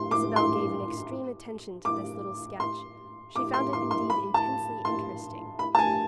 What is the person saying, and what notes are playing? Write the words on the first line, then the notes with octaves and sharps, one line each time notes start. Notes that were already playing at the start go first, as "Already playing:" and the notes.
Isabel gave an extreme attention to this little sketch; she found it indeed intensely interesting.
Already playing: C6
D6
C6
D6
C6
D6
C6
C6
C6
B5
A5
C6
B5
A5
G#5